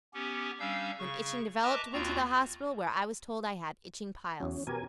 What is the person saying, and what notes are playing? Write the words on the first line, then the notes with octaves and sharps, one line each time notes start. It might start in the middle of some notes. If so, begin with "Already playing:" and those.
When itching developed, went to the hospital, where I was told I had itching piles.
B3 C#4 G4
G3 C#4 D4 F5 E6 G6
C#3 C#6
B4 D#5 E5 A5 A#5 D6
D#2 C4 F4 F#4 A#5
E2 F#3 C#4
B2 G4 A#4 B4 G#5